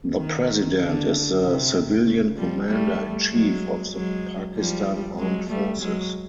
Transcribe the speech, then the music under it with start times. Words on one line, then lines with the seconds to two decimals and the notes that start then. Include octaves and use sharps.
The President is the civilian Commander in Chief of the Pakistan Armed Forces.
0.17 D#3
0.80 D3
1.43 C3
2.05 C#3
2.37 F3 G3
2.68 G3 A3
3.31 F#3 G#3
3.93 F#3 G#3
4.56 F3 G3
5.18 F#3 G#3
5.49 G3 A3
5.81 F#3 G#3